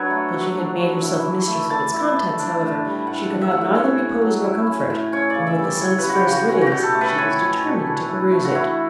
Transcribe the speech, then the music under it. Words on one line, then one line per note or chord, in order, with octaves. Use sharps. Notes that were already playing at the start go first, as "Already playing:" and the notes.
Till she had made herself mistress of its contents, however, she could have neither repose nor comfort; and with the sun's first rays she was determined to peruse it.
Already playing: F#3 D4 B4 C#5
A3
F#3
D4
F#3
E4
E3
A3
E3 A5
E4
E3
D4
A2
G3
A2 F#5
D4
E5
A2 F#5
E5
C#4 C#5
A2
F#3
E4
C#4
A2
C#4 C#5
C#3 D5
E5
G3
D5
E4 C#5
C#4 B4
F#4
G4
C#3
F#4
C#4 F#4
F#4
G4
B2
A4
A3
B4
E4 C#5
C#4
B2
D4
E3
A3
F#4
E3 E4